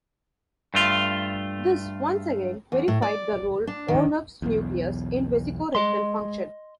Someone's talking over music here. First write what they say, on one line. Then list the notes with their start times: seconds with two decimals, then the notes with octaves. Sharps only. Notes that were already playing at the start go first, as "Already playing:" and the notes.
This, once again, verified the role Onuf's nucleus in vesicorectal function.
0.74 G2 A3 F4
2.72 E2
2.88 A2
3.02 D5
3.67 D4
3.88 D#3
4.42 B1 E2
5.75 G#3 D#5 C6